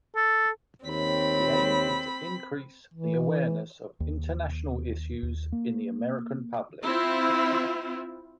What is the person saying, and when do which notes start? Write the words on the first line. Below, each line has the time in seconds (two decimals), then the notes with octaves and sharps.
The aim is to increase the awareness of international issues in the American public.
0.16 A4
0.85 D#2 D#3 C4 C#5 B5
2.94 E3
4.00 D#2
5.23 D#2
5.52 A#3
6.83 C4 E4 F4